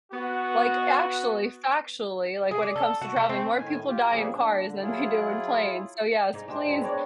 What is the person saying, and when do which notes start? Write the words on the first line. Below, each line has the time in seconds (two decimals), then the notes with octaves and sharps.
like actually, factually, like, when it comes to traveling, more people die in cars than they do in planes, so, yes, please
0.12 B3 F#4
2.51 G#4
2.63 D5
2.76 A4
3.01 F#4
3.16 A3
3.29 C4
3.58 A2 D#3 G#5
3.88 F4 G4
4.11 A#2 C#3 F3 G3 A#3 G#4
4.33 A#2 D4
4.67 D3
4.82 F#3 E4 F4 G#4
6.33 G#2 D#4
6.48 G#3 D4 G4 C5
6.65 G2 F#3
6.81 G#3 B3 D4 C#5 D5